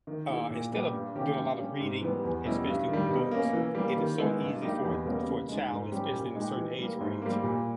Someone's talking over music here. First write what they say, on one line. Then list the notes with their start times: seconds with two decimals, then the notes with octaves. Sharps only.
Uh, instead of doing a lot of reading, especially with books, it is so easy for a for a child, especially in a certain age range,
0.07 D#3
0.28 A#3 E4 G#4
0.50 A#2
0.72 G3 B3 G4
0.93 G2
1.15 D#3 A#3 C#4 G4
1.37 G2
1.58 G3 C#4 G4
1.80 G#2
2.01 E3 G3 B3
2.23 E2
2.45 B2 G3 C#4 E4
2.66 G2
2.88 D#3
2.93 G3
3.10 B2
3.31 A#3 C#4
3.53 E3
3.75 G3 A#3
3.97 D#3
4.18 G#3 B3 E4
4.40 G2
4.62 G3 A#3 D#4 G4
4.84 E2
5.05 B2 G3 A#3 C#4
5.26 C#3
5.48 G#3 D#4
5.70 G#2
5.92 G3 C#4 G4
6.13 A#2
6.35 G#3 D#4 G4
6.57 E3
6.79 G3 A#3
7.00 G#2
7.22 G3 A#3
7.43 A#2